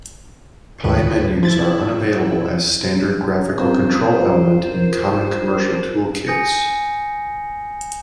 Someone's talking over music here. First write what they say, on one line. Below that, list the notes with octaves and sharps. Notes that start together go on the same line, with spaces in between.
Pie menus are unavailable as standard graphical control element in common commercial toolkits.
D2 G#2 D#3 B4
F3 E4 A6
C4 F4 A#4 C5
F4 A#4
G#5 D#6 G6 A#6 C#7